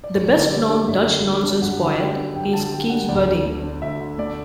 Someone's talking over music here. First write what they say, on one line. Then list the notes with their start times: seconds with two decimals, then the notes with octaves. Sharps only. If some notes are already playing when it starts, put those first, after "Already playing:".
The best-known Dutch Nonsense poet is Cees Buddingh'.
0.04 D5
0.15 F#2 C#5
0.33 D3
0.51 G3 D5
0.69 D4
0.88 F#2 E5
1.06 D3
1.24 G3
1.43 D4
1.62 F#2 F#5
1.79 D3
1.98 G3 G5
2.17 D4
2.35 F#2 G5
2.53 D3 A5
2.71 G3 G5
2.90 D4 F#5
3.08 D2 D5
3.27 D3
3.45 A3
3.63 D4
3.82 D2 E5
4.00 D3
4.18 A3 D5